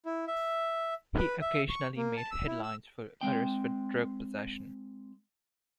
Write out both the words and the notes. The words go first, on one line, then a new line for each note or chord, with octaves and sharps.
He occasionally made headlines for arrests for drug possession.
E4
E5
B4
E5
C#6
A#3
A5
E6
E4
E6
G#3 C4 G5